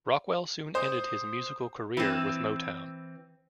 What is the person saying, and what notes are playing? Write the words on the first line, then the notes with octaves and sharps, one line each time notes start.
Rockwell soon ended his musical career with Motown.
C5 D#6
E3 C4